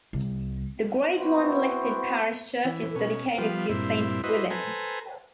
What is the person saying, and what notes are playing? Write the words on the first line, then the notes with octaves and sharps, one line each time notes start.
The Grade One listed parish church is dedicated to Saint Swithin.
C2
B3 C4 E4 F#4 B4 C5
E3
B2 C#4
F3 G3 B3 F4
G2 A#2 C4 E4
E4 F#4 B4 C5 D#5
A4 B4 C5 G#5 A#5